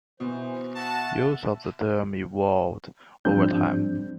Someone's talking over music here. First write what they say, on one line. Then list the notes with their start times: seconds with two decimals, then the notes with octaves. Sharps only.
Use of the term evolved over time.
0.20 B2 E3 C5
0.76 F#4 E5 F#5 A5
3.25 G#2 F3 G3 C4 D4 G6